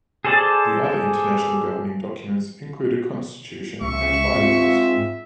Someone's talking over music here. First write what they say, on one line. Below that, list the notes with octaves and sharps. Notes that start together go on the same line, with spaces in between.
The other international governing documents include a Constitution and By-Laws.
G#4 A4 C5 D5 A5
C#2 E5 C#6
G#2 C4 F4